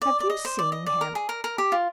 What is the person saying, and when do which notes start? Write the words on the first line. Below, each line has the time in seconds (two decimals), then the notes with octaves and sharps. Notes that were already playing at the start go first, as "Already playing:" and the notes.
Have you seen him?
0.02 D5
0.20 D5
0.30 D#5
0.45 C5
0.59 D5
0.72 D#5
0.86 D5
1.01 A#4
1.15 G#4
1.29 A#4
1.44 A#4
1.58 G4
1.72 F4